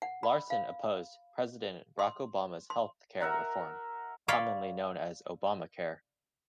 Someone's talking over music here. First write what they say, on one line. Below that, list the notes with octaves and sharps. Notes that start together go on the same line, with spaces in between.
Larson opposed President Barack Obama's health care reform, commonly known as Obamacare.
F#5
B5
F5
C6
C6
A#4 E5 F#5 A#5
C#5 D5 F5 B5 C6